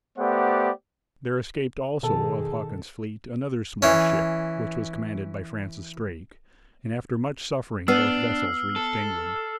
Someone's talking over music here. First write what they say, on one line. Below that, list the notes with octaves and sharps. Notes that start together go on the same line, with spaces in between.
There escaped, also, of Hawkins's fleet another small ship, which was commanded by Francis Drake; and after much suffering both vessels reached England.
A3 B3 G4 C5 D5 F#5
B2 D#3 G#4 A4 A5
E3 C#4
B3 D4 B4 E6 F6 C7
A4